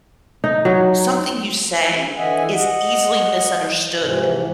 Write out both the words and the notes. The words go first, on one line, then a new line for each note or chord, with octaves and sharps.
something you say is easily misunderstood,
D#4
F#3
D3 E3 D#5 E5 F#5 G#5
D#5 F#5
G#2 C3 E3 F3